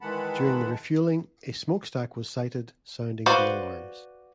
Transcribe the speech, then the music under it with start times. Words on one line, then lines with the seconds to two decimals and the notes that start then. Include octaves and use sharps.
During the refueling, a smokestack was sighted, sounding the alarms.
0.01 D#3 E3 G#3 F#5 A5 B5
3.26 F#4 B4 C5 D5 F5